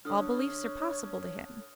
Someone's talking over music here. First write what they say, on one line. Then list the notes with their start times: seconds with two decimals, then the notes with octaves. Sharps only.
All beliefs are possible to him.
0.05 D3 C#5 D#6 F6